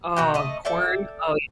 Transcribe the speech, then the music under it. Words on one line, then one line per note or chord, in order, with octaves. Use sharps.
oh, corn? Oh
B2 F#4 G5
A3 D#5
A4 D5 E5 G5